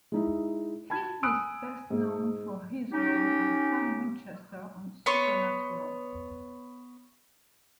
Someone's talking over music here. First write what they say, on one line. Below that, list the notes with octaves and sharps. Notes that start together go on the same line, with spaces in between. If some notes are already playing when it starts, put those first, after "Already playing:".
He is best known for his role as Sam Winchester on "Supernatural".
G#3 D#4 E4
A5 B5 G#6
G#5 B5 D#6 E6 F#6 D7
G#2
C#4 D#4 G4
B3 C#5 C6 C#6